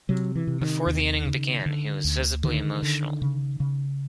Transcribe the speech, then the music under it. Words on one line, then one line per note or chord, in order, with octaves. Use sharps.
Before the inning began, he was visibly emotional.
C3 F#3
E3
C3
D#3
D#2
C#3
D3
D2
D3 D#3
D3
C#3
C#3